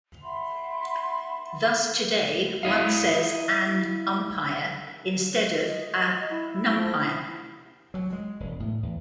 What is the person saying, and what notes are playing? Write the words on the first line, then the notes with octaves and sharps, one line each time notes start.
Thus today one says "an umpire" instead of "a numpire".
E5 F#5 B5 C6
E4 D#5 F5
D#5
E4
F3
E4
F#3
G#3
E1
A2
E2